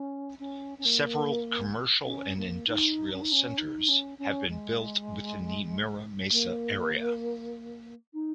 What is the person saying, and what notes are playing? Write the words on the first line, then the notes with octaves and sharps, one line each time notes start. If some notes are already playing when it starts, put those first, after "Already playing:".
Several commercial and industrial centers have been built within the Mira Mesa area.
Already playing: C#4
C#4
C#4
A#3
C#4
A#3
D#4
C#4
D#4
C#4
D#4
C#4
C#4
G#3
A#3
D#4